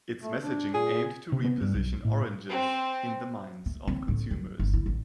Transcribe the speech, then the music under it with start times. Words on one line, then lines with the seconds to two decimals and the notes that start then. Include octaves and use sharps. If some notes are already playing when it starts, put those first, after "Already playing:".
Its messaging aimed to reposition oranges in the minds of consumers.
0.22 A3
0.42 D4
0.74 A#2 G#4
1.32 C3
1.44 B3
1.61 G2
1.74 B1
2.05 A2
2.49 C4 C5
3.66 A3
3.87 C4
4.08 A2
4.31 F#2
4.59 G1
4.74 E4
4.86 A1